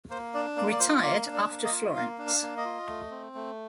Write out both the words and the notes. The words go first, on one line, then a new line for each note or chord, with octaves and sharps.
Retired after Florence.
A#3 C5
D4 D5
A#3 D5
D5
F4 C5
A#3 D5
D4
D5
A#3
D#5
F4
A#3 F5
D4
F5
A#3
D#5
F4
A3
C4
A3